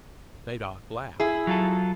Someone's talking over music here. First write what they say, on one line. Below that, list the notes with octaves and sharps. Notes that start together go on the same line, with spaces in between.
Zadok laughed.
E4 G#4
F#3 F4 A4